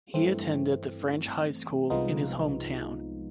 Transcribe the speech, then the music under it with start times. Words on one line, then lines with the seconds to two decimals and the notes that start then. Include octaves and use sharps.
He attended the French high school in his hometown.
0.14 G2 E3 A3 C4
1.90 C2 C3 F3 G#3 B3 D#4 F4